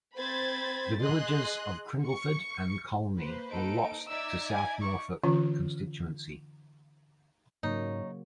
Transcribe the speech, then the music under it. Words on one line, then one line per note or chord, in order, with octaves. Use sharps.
The villages of Cringleford and Colney were lost to South Norfolk constituency.
C4 C5 B5 G#6 A6
G#4 D#5 C6 F#6
C#6 C#7
A#3 B4 C5
D#4 A4 D7
D#4 D5 E5 A#5 D6 E6 G#6
G#5
C#6
D3 E3 C#4 F4
G#2 C#3 F#3 A#3 D#4 C#5